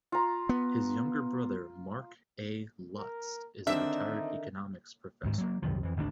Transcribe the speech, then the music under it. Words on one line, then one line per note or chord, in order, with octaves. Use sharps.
His younger brother Mark A. Lutz is a retired economics professor.
F4 A#5
B3
A#4
D3 D#3 A#3 C4 D4 D#4 E5
D2 G#2 D#3
F#3 A#3
C2 F#2 D#3 F3
F2 E3
G#1 D2 C#3 D4